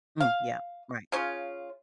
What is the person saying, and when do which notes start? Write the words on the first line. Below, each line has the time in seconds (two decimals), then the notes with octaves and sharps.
Mm, yeah. Right.
0.20 F5
1.12 C#3 C#4 F4